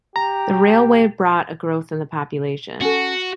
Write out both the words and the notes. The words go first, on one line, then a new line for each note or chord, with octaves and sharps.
The railway brought a growth in the population.
G4 A#5
C#4 F#4 A4